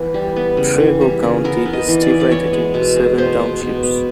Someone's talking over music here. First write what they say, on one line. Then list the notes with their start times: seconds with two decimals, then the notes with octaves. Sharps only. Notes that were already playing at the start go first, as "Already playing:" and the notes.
Trego County is divided into seven townships.
Already playing: E3 B3 B4
0.14 G3
0.36 B3
0.57 C#3
0.80 E3
1.01 G3
1.23 C#3
1.44 B3 A#4
1.65 B3
1.73 D#5
1.88 E3
2.02 D5
2.09 E3
2.20 D5
2.31 B3 C#5
2.53 G#3
2.74 B2
2.96 G#3
3.18 B2 C5
3.39 B2
3.62 B2
3.83 B3